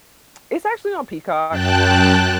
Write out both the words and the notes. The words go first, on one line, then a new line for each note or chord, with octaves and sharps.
It's actually on Peacock.
F#2 G5 A5 F#6